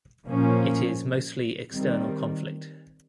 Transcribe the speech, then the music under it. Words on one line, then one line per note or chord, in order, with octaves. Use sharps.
It is mostly external conflict.
A#2 F3 A#3 C#4
D#3 G3 C4